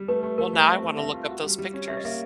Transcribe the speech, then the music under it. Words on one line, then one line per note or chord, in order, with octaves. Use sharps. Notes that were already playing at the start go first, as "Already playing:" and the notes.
Well, now I wanna look up those pictures.
Already playing: G3
A3 B4
A3
A3 A#4
A3
C4 E5
A3
A3 E5
F4
F#4
G3
G3
C#4
C#4 E5
D#5
A#3 E5